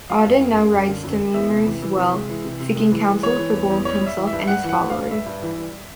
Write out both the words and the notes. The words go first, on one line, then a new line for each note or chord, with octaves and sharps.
Odin now rides to Mimir's Well, seeking council for both himself and his followers.
F#3 F5
F#2
F#2
F#2
F#2
D3
F#2
F#2
E2 E5
C3
E3
E3
C3
G#3
E3
C3
C3
G#3
E3
G#3
E3 C#5
E3
E2
E2
G3 C#5
G3
E5
E3
E5
G2
G2 F#5
E3
F#5
G2
G2 F5
G2 E5
G2
E3
G3